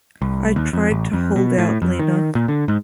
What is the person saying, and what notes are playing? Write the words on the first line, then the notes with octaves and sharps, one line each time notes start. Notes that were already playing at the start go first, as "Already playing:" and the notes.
I tried to hold out, Lena.
C2
D#2
F2
A1
F2
B2
A2
F2
D#3
A#2
D3
G#2